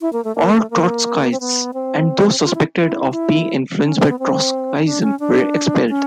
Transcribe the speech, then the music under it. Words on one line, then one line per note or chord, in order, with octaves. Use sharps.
All Trotskyists, and those suspected of being influenced by Trotskyism, were expelled.
E4
A#3
A3
A#3
A3
A#3
C4
B3
C4
F4
E4
E4
E4
C#4
C4
B3
C4
C#4
D4
C#4
D4
C#4